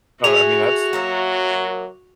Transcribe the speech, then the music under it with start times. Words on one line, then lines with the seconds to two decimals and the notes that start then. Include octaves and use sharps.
Oh, I mean, that's
0.24 F#4 G#4 A4 E5 F7
0.93 F#3 A#3 C#5 E5